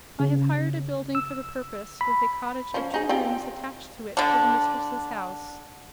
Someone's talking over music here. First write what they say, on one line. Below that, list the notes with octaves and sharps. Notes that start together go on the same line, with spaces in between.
I have hired a building for the purpose, with a cottage of two rooms attached to it for the mistress's house.
C#3
E6
B5
F3 C#4
D#4 G#4
C4 F4 G4
D3 D4